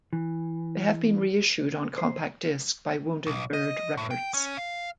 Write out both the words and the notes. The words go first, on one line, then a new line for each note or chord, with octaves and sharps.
They have been reissued on Compact Disc by Wounded Bird Records.
E3
C5
B1
D#5
A2
G5
C#4
F5